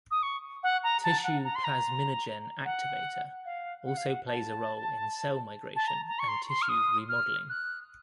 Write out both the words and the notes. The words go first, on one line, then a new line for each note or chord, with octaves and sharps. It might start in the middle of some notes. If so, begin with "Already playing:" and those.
Tissue plasminogen activator also plays a role in cell migration and tissue remodeling.
D#6
C#6
F#5
A#5
A5
F#5
A#5
C6
A#5
F#5
F5
F#5
F5
F#5
A5
A5
A#5
A#5
C#6
C6
C6
F6
D#6
F6
F#6